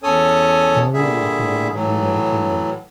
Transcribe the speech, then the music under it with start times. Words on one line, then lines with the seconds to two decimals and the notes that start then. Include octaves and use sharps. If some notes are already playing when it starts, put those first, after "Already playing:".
Cowie was born in the United Kingdom.
0.03 E2 C#4 A4 C#5 G#5 D#6
0.94 A#2 D3 G3 G#4 E5
1.73 A2 E3 F#3